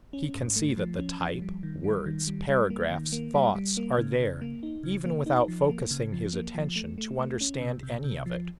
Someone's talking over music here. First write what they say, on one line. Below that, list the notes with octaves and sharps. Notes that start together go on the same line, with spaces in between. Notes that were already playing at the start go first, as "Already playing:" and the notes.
He can see that the type, words, paragraphs, thoughts are there, even without focusing his attention to understand any of it.
C#4
G#2
A3
F3
C#4
F3
G3
D#3
G3
D#3
G3
G3
A#3
D#3
A#3
G3
G3
A#3
C#3
C#3
A#3
D#4
C#3
A#3
D#4
F3
A#3
C#3
F3
A#3
F3
A3
A3
A3
C#4
C3
C3
C3
F3